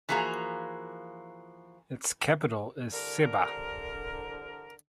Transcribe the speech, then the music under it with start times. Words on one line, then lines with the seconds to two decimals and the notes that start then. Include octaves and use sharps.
Its capital is Sebba.
0.09 E3 F3 A#3 F#4 G#4 A#5
2.92 C2 D3 A#4